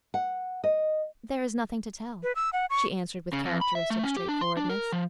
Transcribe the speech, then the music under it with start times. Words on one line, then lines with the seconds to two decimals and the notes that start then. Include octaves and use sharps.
"There is nothing to tell," she answered with characteristic straightforwardness.
0.14 F#5
0.64 D#5
2.23 B4
2.35 E6
2.53 F#5
2.70 C#6
3.33 C#3
3.45 F2
3.61 B5
3.75 E5
3.90 A3
4.03 C#4
4.17 G4
4.29 D4
4.41 C6
4.57 D4
4.69 A#4
4.92 F3